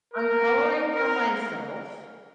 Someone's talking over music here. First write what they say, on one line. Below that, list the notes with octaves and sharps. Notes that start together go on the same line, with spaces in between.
I'm coloring for myself,
A#4
A#4